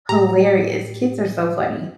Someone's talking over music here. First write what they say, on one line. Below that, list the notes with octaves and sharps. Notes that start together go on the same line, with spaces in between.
Hilarious, kids are so funny.
A2 G4 A#5